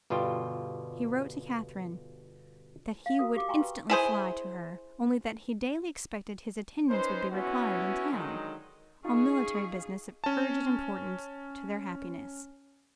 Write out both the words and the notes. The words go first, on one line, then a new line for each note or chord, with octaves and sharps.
He wrote to Katherine that he would instantly fly to her, only that he daily expected his attendance would be required in town, on military business of urgent importance to their happiness.
G1 B2 G3 F4 G5
F5
F#4 A#4 D#6
G4 F5 D6
F5 G5 G#5 A#5 C6 C#6
B4
E4 G#4 C5
C#4 D#4 B4 C5
B3 C#4 E4 F#4
D3 D#3 F#3 G#3 D#4
C#4 D#4 F4 G#4
C#4 A5